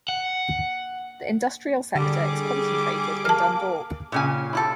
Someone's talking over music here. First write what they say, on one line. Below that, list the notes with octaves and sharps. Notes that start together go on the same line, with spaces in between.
The industrial sector is concentrated in Dundalk.
F#5
D3 G3 G#4 D6
A#4 F5 A5 F6
A#2 C#3 G#5
E4 G4 A4